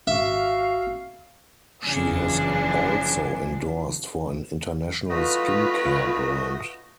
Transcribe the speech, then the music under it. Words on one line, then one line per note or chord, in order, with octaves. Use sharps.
She has also endorsed for an international skin care brand.
G#1 F#4 E5 F5
F#1 E2 C#3 E3 F3 D4 G#5
A3 F4 F#4 B4 D#5